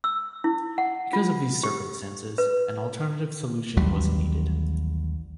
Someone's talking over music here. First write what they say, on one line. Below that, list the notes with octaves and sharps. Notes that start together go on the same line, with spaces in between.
Because of these circumstances, an alternative solution was needed.
E6
E4
F#5
F4
G4
B4
A1 D#2 F#3 G3